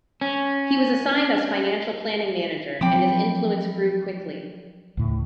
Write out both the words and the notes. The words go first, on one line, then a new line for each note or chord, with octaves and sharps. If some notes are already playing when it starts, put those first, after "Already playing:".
He was assigned as financial planning manager, and his influence grew quickly.
C#4
F3 F#3 C4 G5 B5 D6
D2 A2 C#3